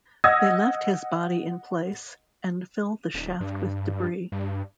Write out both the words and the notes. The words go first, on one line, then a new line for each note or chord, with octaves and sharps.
They left his body in place and filled the shaft with debris.
D#5 F#5 D#6 E6 G#6 A#6
D1
G2
G2